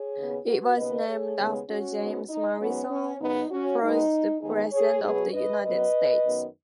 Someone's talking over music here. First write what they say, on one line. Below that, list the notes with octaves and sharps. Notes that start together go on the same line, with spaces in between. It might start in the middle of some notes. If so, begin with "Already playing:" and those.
It was named after James Madison, fourth President of the United States.
Already playing: G#4 C#5
D#2 C#3 B3
F#4 B4
D#2 C#3 B3 B4 D#5
G#4 C#5
D#2 C#3 G#3 B3
C#4 F#4
G#2 G#3 B3
D#4
G#2 F#3 B3 C#4
C#4
F#2 C#3 B3 D#4
C#4 F#4
B2 G#3 B3 D#4
D#2 D#3 G#3 B3 D#4 G#4
G#4 C#5
B2 F#3 B3 G#4 C#5
B4 D#5
F#2 F#3 B3 B4 D#5
F#2 D#3 B3